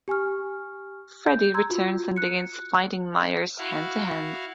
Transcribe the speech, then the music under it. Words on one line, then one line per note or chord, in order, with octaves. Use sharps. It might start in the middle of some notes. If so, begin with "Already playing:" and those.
Freddie returns and begins fighting Myers hand-to-hand.
G4 G#5 C#6 F6
G6
A#5 C6 E6 G#6
F4 F#4
F#6 C#7
E4 F#4 F5